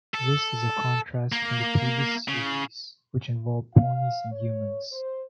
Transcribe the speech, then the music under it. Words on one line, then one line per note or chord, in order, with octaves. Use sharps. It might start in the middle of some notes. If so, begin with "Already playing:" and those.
This is a contrast from the previous series which involved ponies and humans.
A4
A#3
C#3
F5
C#5
C5